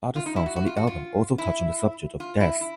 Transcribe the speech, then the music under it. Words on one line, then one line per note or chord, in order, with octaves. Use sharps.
Other songs on the album also touch on the subject of death.
F4
D#4
E4
F#4
F#4
F4
F#4
F4
E4
F4
E4
E4